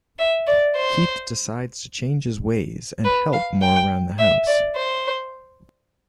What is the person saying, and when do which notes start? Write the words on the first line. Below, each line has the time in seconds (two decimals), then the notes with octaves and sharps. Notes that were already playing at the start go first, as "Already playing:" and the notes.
Keith decides to change his ways and help more around the house.
0.19 E5
0.47 D5
0.76 C5
3.05 B4
3.33 F5
3.62 G5
4.19 E5
4.47 D5
4.76 C5